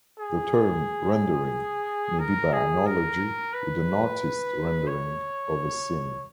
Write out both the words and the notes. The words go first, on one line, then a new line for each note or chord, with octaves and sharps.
The term "rendering" may be by analogy with an "artist's rendering" of a scene.
G#4
A#4
G#4
A#4
B4
C#5